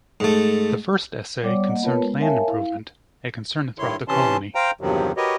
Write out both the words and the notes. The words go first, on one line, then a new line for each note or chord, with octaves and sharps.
The first essay concerned land improvement, a concern throughout the colony.
G#2 A3
G3 B3 C#5 D5 F#5 D6
A#3 D#5 F#5
B3 F4 A#4 B4 C#5 A5
G#3 B3
A#4 C#5 E5 F5 G#5 A5
E4 F5
G2 D#3 E4 C#5 C6
C3 E3 C#4 A5 C6
C5 F5 G5 A#5
E2 G2 C3 D#3 F3 F#3
F#4 G4 A#4 B4 C#5 D#5